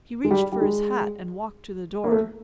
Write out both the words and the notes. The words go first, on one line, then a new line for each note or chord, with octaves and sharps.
He reached for his hat and walked to the door.
G#3
G3
G3
G#3
A#3
A3